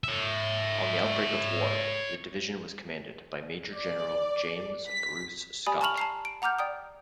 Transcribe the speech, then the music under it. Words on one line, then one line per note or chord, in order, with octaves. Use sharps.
On the outbreak of war, the division was commanded by Major-General James Bruce Scott.
C#5 E5
D5
B6
G4 D5 G#5 B5 D#6
A5 B5 C#6 F6 F7 F#7
A5 A#5 C7
D7
F#5 A#5 D6 F6 G6
D5 G5 D#6